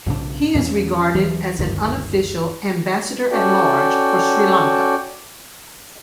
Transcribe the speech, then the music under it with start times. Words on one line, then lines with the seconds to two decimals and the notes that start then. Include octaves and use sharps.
He is regarded as an unofficial "Ambassador-at-Large for Sri Lanka".
0.06 B1 G#2 C#3 D4
0.55 E2 A#2 A#3 C#4
1.15 D#2 E3 F#3
1.59 F#1 D2 G2 D#3
3.31 C#4 F#4 A4 D5 G5